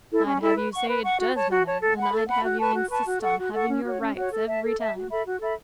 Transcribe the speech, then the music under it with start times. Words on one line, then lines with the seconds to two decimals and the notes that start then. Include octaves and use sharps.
"I'd have you say it DOES matter, and I'd have you insist on having your rights, every time."
0.10 E4 A4
0.25 C#4
0.41 E4 A4
0.57 B4
0.72 F#5 C#6
0.88 B4
1.04 F#5 C#6
1.19 F#4
1.35 C#5 A5
1.51 F#4
1.65 C#5 A5
1.81 A4
1.97 F#5 B5
2.13 A4
2.28 F#5 B5
2.44 F#4
2.59 B4 A5 C#6
2.75 F#4
2.90 B4 A5 C#6
3.06 F#4
3.22 A4 F#5 C#6
3.38 F#4
3.53 A4 F#5 C#6
3.69 C#4
3.85 F#4 C#5 F#5
4.00 C#4
4.16 F#4 C#5 F#5
4.31 A4
4.47 E5 A5
4.63 A4
4.78 E5 A5
4.95 F#4
5.10 A4 E5 B5
5.26 F#4
5.41 A4 E5 B5